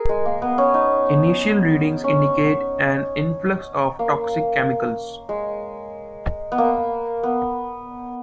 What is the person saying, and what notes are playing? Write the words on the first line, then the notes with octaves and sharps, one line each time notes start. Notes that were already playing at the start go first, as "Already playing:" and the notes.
Initial readings indicate an influx of toxic chemicals.
Already playing: G#4 A#4
G#3
A#3
B3
C#4
D#4
C#4
A#3
G#3
B3
A#3
B3